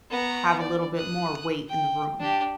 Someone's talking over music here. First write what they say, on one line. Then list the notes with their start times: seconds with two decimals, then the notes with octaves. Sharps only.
have a little bit more weight in the room.
0.10 B3 A#5
0.59 D5
0.97 D#6 F#6
1.68 G5
2.20 D4 G4